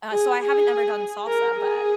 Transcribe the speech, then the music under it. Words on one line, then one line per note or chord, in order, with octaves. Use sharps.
So, I haven't ever done salsa, but
G#4
G#4
A#4
G#4